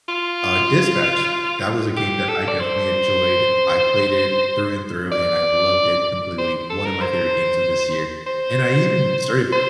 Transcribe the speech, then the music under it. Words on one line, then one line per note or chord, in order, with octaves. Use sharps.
uh, Dispatch, that was a game that I definitely enjoyed. I played it through and through, and I loved it completely. One of my favorite games of this year. And I even started
F4
G4
A4
D5
C5
D5
C5
A4
A#4
C5
C5
C5